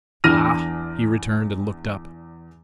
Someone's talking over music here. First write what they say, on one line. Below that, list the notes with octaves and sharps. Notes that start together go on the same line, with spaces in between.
"Ah!" he returned, and looked up.
E2 E3 D4 F6 A#6 D#7